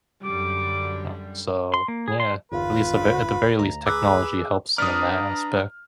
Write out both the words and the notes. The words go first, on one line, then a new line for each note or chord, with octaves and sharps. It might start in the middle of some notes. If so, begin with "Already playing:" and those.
Uh, so yeah, at least the ver at the very least, technology helps them in that aspect.
F#2 D3 G3 D6
C6
A#3
G#4
C6
G1 E2 F4 B4 B5
D2 A#5
G#4 B4 D6 E6 F#6
D4 B4 D5 A#5 D#6 F6